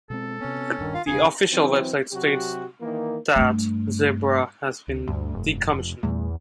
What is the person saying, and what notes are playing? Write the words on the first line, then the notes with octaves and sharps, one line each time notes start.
The official website states that "Zebra has been decommissioned".
B2 G#3 C4 A4
C3 B3 C#4
D#1 G2 D#3 D4
F4 F5
E1 C#3 D4 G#4 G#5
E3 F#3 C4
C3 F#3 F#4 G4
D#3 E3 A#3
G2 A3
D2
D2 G2
F1
E2 A#2 G3 A3